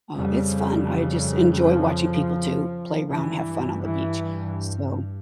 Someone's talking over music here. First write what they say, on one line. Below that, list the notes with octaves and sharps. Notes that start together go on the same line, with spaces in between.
uh, it's fun. I just enjoy watching people too, play around, have fun on the beach, so,
F2 C#3 G3
F3
G2 E3
E3